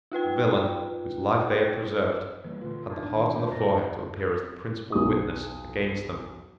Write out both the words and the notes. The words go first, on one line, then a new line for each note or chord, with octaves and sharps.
The villain whose life they had preserved had the heart and the forehead to appear as the principal witness against them.
D#4 F4 B4 G5
E3 G3 A#3 B4
A#2 D3 A3 F4 B4
A1 G#2 D4 D#4
D#3
A3 C5 A5
F#2 A#2 D5 A#5 A6 A#6
B1 D#6